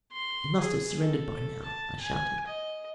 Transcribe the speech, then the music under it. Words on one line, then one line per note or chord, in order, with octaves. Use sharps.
"It must have surrendered by now," I shouted.
C6
G#4
A4
A5
G#5
D#5